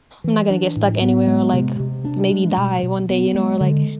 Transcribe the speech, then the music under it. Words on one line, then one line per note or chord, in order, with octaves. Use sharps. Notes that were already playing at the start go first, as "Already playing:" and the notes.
I'm not gonna get stuck anywhere or, like, maybe die one day, you know, or like,
E3
D4
A2
B3
G#3
C3
C3
D4
G#3
B2
B2
B3
G#3
D3